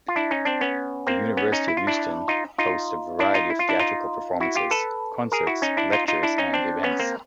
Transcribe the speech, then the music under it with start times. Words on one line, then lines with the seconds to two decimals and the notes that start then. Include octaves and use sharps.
The University of Houston hosts a variety of theatrical performances, concerts, lectures, and events.
0.08 F4
0.16 D4 E4
0.31 C#4 D#4
0.45 C4 D4
0.61 B3 C#4
1.07 A#3 C4
1.37 B3 C#4
1.52 C#4 D#4
1.68 E4
1.77 F4
1.87 D4 E4
2.28 D#4 F4
2.58 D#4 F4
3.19 D4 E4
3.34 D#4 F4
3.50 E4
3.59 F4
3.69 D4 E4
3.80 D#4 F4
4.40 E4 F#4
4.56 F4 G4
4.71 A4 B4
5.32 G#4 A#4
5.47 E4 F#4
5.62 C#4 D#4
5.77 D4 E4
5.92 D#4 F4
6.08 D#4 F4
6.23 D4 E4
6.38 C#4 D#4
6.53 C4 D4
6.83 B3 C#4
6.99 A#3 C4